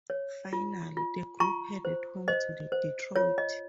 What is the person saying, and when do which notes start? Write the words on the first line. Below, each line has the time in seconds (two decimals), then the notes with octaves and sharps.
Finally, the group headed home to Detroit.
0.10 C#5
0.53 F4
0.97 F4
1.40 F4 A#5 C#6
1.85 C5
2.28 C5 D#5
2.72 C5
3.16 F4 C#5
3.38 D#5